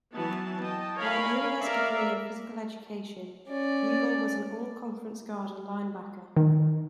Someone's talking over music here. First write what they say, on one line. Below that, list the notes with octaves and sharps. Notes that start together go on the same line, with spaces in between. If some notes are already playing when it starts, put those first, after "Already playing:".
While earning his degree in physical education, Bugel was an all-conference guard and linebacker.
E3 F#3 B3 A5
D#5 G5 A5
A#4 C#5 F5 G#5 B5
A#4 D5 E5 F5
C#4 D5
D#3